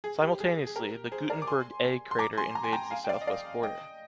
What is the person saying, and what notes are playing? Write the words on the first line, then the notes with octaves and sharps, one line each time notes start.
Simultaneously, the “Gutenberg A” crater invades the Southwest border.
G#4
G4
G#4
G#4
G4 A#4
G#4 C5
A#4 D5
D6
G#5 C6
C6
A#5 D6
G#5 C6
A#5
G#5
G5 A#5
F5 G#5
G5
D5 F5
D#5
D5 F5
D#5 G5